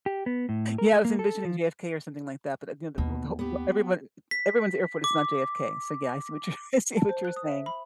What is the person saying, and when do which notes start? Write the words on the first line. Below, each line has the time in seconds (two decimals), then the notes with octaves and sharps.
Yeah, I was envisioning JFK or something like that, but at the end of b th ho everyone everyone's airport is not JFK, so, yeah, I see what you're I see what you're saying.
0.06 G4
0.26 B3
0.49 A2
0.78 A#4
0.93 A3
1.05 A#3
1.19 A4
1.45 F3
2.98 D#2 B2
3.39 B3 G4
4.31 B6
5.04 D6
6.97 A5
7.09 C5
7.25 F#6
7.36 D#6
7.48 E5
7.66 B5